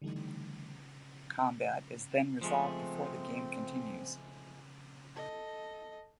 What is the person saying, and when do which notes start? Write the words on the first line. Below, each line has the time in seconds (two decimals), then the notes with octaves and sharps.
Combat is then resolved before the game continues.
0.02 D3 E3 G3 A3 D#4
2.41 F3 G#3 A3 C4
5.16 A4 D#5